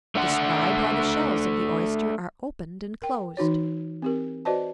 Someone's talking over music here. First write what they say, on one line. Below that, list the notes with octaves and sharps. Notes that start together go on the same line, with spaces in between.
Describe how the shells of the Oyster are opened and closed.
A3 D4 F#5
A#4 G5
E3 D#4 F#4 C#5
C4 G4 A#4
F#4 B4 C5 D5 D#5 A5